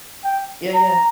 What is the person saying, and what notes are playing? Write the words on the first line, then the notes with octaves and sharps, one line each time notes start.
Yeah, yeah.
G5
A#5